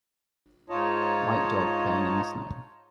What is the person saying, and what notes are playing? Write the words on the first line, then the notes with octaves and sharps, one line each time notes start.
White dog playing in the snow.
G#2 D#4 F4 C#5 D#5 A5